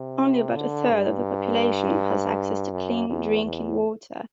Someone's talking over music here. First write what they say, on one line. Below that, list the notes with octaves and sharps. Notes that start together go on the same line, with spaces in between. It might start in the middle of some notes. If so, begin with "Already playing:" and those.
Only about a third of the population has access to clean drinking water.
Already playing: C3
D3
G2
F#2
E2
E2